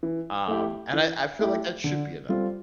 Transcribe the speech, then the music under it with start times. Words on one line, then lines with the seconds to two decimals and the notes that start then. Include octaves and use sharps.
Um, and I I feel like that should be enough.
0.03 E3
0.48 A3 E4 G4
0.93 E3
1.39 A3 E4 G4
1.84 D3
2.29 G3 C4 F4 A4